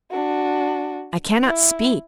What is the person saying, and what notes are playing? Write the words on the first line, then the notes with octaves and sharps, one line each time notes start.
I cannot speak!
D4 F#4
E4